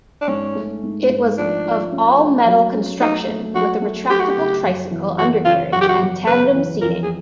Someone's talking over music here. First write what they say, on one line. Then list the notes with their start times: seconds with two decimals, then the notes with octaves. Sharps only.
It was of all-metal construction with a retractable tricycle undercarriage and tandem seating.
0.21 D4
0.28 G#2 C#4
0.55 A3
0.83 G#2
1.09 G#2
1.38 F3 D4
1.65 F3
1.92 C#4
2.19 A3
2.46 F#3
2.73 C#4
3.00 A3 D#4
3.28 A3
3.55 F#3 F#4
3.82 A3
4.10 A3 G4
4.19 F#4
4.29 G4
4.37 C#3
4.64 F#2
4.91 E3
5.18 E3 F#4
5.45 C#3 F4
5.72 F#2 F#4
5.81 G4
5.89 F#4
6.00 F#2
6.27 C#3 B4
6.55 E3
6.81 F2 A#4
7.03 G#4